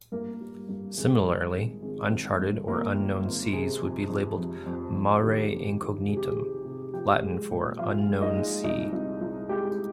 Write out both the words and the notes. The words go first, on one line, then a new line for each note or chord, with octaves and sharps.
Similarly, uncharted or unknown seas would be labeled mare incognitum, Latin for "unknown sea".
G2 A#3 A#4
G3
G2
G#1 G#4
G#1
G#1
G#1 G#4
G#1
G2
G#1 A#3 A#4
G#1
G#1
C3 G#4
F2
F2
F2
F2
F2
D#3 G4
F2
D#3
C3 G#4
G4
G#4
C3
C3
F3 G4 G5
G#3
A#2
F3 F4 F5
G#3
D#4 D#5
G#3
C2 D#4 D#5
C2
C2
G#3 G4 G5